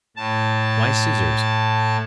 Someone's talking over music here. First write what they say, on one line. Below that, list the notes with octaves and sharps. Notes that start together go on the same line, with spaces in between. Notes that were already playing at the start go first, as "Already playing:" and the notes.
Why scissors?
A2 A5